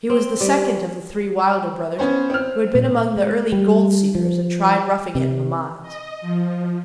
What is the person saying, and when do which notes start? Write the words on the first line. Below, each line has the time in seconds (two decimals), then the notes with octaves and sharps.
He was the second of the three Wilder brothers, who had been among the early gold-seekers, and tried roughing it in the mines.
0.10 C4
0.40 G3
1.99 B3 C#4 C5
2.30 C4 F6
2.75 A#2 A#3
3.17 G#3
3.52 G3
4.15 F3
5.15 C3
5.82 D#5
6.21 F3